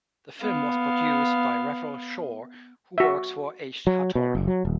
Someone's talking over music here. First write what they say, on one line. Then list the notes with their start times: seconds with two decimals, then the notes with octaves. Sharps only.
The film was produced by Raphael Shore, who works for Aish HaTorah.
0.42 B3 F5
2.98 F#4 E5
3.87 F#3
4.15 B2
4.35 F#1
4.48 F#3
4.65 D#1